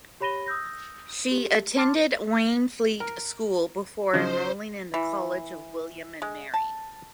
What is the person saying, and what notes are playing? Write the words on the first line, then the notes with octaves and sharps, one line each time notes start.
She attended Waynflete School before enrolling in the College of William and Mary.
G4 C#5 B5 A#6 D#7 G7
D#6 E6 G6 A#6
G4
A5 C6 D6 F6 A6
A#4
C#3 F3 D#4 C5
E3
G#3
A5